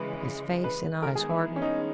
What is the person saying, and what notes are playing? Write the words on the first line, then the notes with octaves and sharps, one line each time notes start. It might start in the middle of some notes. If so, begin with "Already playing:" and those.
His face and eyes hardened.
Already playing: C#3 E3 G#3 B4
B4
D#3 G#3 B3 A#4
G#4
E4
C#4
D#4